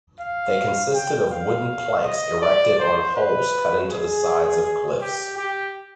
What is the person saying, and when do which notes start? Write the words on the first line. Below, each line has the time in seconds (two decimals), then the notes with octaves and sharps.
They consisted of wooden planks erected on holes cut into the sides of cliffs.
0.20 F5
0.94 G5
1.31 F5
2.05 D#5
2.41 D5
2.79 C5
3.15 B4
3.89 G#4
5.01 G4
5.37 G4